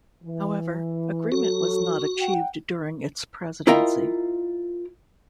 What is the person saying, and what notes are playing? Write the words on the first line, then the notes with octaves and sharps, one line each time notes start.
However, agreement was not achieved during its Presidency.
E3
F#3 F#4 A4
F#5 G5
E4 F4 A#4 D#5 G5 A#5